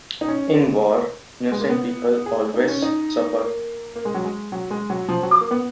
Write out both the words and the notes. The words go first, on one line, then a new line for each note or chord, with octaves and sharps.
In war, innocent people always suffer.
D#4
C#4
G#3
A#3
B3
G#4
D#4
C#4
D#4
A#3
A#3
G#3
F#3
G#3
F#3
G#3
F#3
F3
F#3
A#3
B3